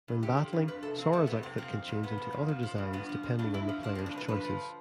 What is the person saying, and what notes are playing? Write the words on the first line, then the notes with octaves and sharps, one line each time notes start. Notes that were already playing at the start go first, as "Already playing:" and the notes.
When battling, Sora's outfit can change into other designs depending on the player's choices.
G2
D3 G4
F3
G2
F2 B4
C3 A4
F3 C4
F2 A3
F2 B3
C3 C4
F3 C4
F2
F2
C3 B3
F3
F2
F3
F3
G2
G2 B3
F3
F3
G2 D4
G2 E4
F3
F3 D4
C4
G2
D4
G2 B4
F3 B4
F3